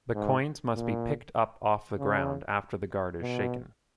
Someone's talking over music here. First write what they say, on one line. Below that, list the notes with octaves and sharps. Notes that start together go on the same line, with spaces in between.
The coins must be picked up off the ground after the guard is shaken.
G#2
A#2
C#3
B2